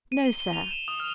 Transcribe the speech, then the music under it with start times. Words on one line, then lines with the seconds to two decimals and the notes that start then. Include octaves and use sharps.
"No, sir."
0.12 D#7
0.26 G7
0.39 G7
0.53 F7
0.71 E7
0.88 D#6
1.00 F6